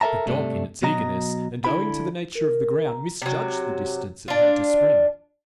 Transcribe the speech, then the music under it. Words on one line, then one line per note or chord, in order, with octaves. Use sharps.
The dog in its eagerness, and owing to the nature of the ground, misjudged the distance it had to spring.
A4 A#4 C#5 E5 A5 A#5
G2 C3 A3 D4
B2 F#3 D#5 A#5
D3 E4 B5
A#4
A#5
C3 F#3
D4 F4